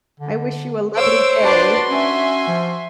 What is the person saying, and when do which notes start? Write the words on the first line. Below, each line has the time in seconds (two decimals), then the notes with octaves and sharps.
I wish you a lovely day.
0.20 D3
0.97 C5 C#5 E6 D7
1.43 D4 F#4 B4 D5 C6
1.89 C#4 E5 G#5
2.48 F3